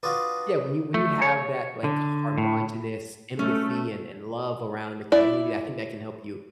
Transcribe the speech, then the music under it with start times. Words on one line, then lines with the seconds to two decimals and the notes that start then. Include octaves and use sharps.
yeah, when you when you have that, like, homogenous empathy and and love around a community, I think that can help you,
0.03 D4 F4 F#4 B4 D#6
0.94 A3
1.22 C#5
1.84 D3
2.38 A2
3.39 A3 C#4
5.12 E4 D5